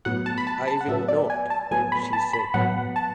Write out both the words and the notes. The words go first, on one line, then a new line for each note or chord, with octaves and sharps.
"I will not," she said.
A2 F#3 B3 F#5
A5
B5
A5
A5
F#5
A2 F#3 B3 E5
D5
G#5
A5
A2 F#3 B3 G#5
B5
A5
B5
A2 F#3 B3 F#5
A5